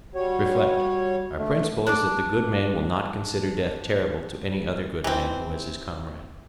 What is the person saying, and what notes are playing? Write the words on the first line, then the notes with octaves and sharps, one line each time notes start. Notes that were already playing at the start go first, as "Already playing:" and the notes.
Reflect: our principle is that the good man will not consider death terrible to any other good man who is his comrade.
G3 F#4 C#5
D3 A3
D4 D5 D6
E3 C4